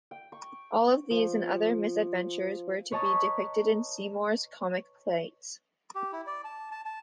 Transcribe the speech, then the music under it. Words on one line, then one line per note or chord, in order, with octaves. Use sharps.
All these and other misadventures were to be depicted in Seymour's comic plates.
G5
C#6
F3
B4 C#5 D#5 A5 A#5 C#6
G4
E4
D5
A5
A5
A5